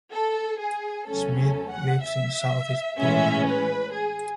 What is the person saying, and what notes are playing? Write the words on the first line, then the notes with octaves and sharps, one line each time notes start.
Schmidt lives in Southeast Portland.
A4
G#4
E2 C#3 F#3 A3 C#4 A4
A4
F#5
E5
A2 E3 G#3 C#4 E5
B4
G#4